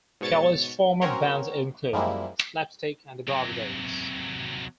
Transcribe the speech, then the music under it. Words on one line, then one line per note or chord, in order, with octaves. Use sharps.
Kelly's former bands include Slapstick and The Broadways.
G#2 B2 C#5 A6 C#7
C4 C#4 F#4 A#4 C5 C#5
F#2 F3 G3 G#3 A#3 E4
C3 F#3